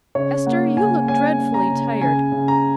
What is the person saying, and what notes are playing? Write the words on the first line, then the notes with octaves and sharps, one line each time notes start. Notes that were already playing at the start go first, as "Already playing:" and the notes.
Ester, you look dreadfully tired.
C#3 C#5
A#3 F#5
C#3 G#5
C#4 G#5
C#4
A#5
C#3
C#3 G#5
C#3
A#5